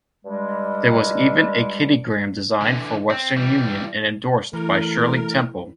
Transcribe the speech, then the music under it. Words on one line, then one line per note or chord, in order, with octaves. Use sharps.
There was even a Kiddiegram designed for Western Union and endorsed by Shirley Temple.
G2 G3 G#3
D3 E3
C4
E3 G3
E3 A3 A#4